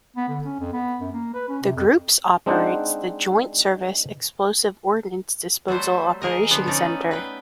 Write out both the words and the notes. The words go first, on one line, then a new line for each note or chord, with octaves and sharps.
The groups operates the Joint Service Explosive Ordnance Disposal Operations Centre.
B3
D3
C#4
F2
B3
F#2
A#3
B4
C#4
C3
F2
G#3 C4 D4 D#4 C5 F#5
F#3 G3 A3 C5
E3 G#4 A#4 D#5
D3 F3 B3 G5
A3 C#4 D#4 D5
B4 G5